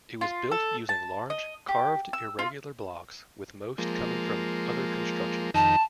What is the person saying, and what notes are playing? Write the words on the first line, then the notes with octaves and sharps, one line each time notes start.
It was built using large, carved, irregular blocks, with most coming from other constructions.
F4
A4
A5
D#5
G4
E6
F4
F3 G#3 A#3
F2 D#3 D#4 A5